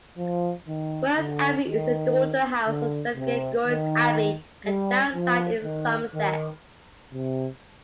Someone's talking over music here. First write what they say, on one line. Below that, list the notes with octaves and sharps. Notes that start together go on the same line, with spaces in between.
Worth Abbey is a daughter house of Saint Gregory's Abbey, at Downside, in Somerset.
F3
D#3
D3
D#3
D3
C3
D#3
G3
F3
D#3
D#3
C3